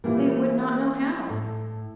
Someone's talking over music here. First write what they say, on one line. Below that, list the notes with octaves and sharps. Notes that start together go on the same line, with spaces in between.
They would not know how.
A#2 E3 G3 A#3
A2 A4